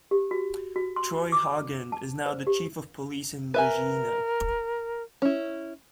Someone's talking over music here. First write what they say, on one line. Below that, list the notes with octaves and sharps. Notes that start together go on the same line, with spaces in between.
Troy Hagen is now the Chief of Police in Regina.
G4
F#4
F#4
C6
D6
A5
C5
G4
A#4 B4 E5 G#5
C#4 E4